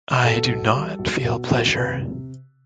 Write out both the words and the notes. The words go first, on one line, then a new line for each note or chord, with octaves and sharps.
I do not feel pleasure.
B2 A4
B1
G3
B1
B2
B1
C3 B4